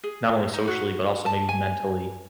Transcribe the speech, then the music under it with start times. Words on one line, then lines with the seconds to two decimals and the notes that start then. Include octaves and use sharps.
not only socially, but, also maybe mentally.
0.04 G#4
0.53 D#4
0.68 F#4
1.26 A5
1.49 G#5